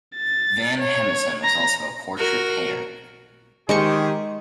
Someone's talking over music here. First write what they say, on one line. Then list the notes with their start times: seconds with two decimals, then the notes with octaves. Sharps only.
Van Hemessen was also a portrait painter.
0.17 A6
0.79 C#5
1.43 A#5
2.17 F#4 A#4
3.69 D#3 G#3 G4 G#4 C5 C#6